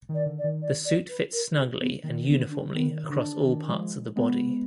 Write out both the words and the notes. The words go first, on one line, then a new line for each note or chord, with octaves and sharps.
The suit fits snugly and uniformly across all parts of the body.
D#3
D5
D3
D5
D#3
D5
D5
B4
A#4
G#4
B3
D#3 A#3
B3
D3
D4
D#3 B3
D3 D4
D#3
F3 G#3
G#3 B3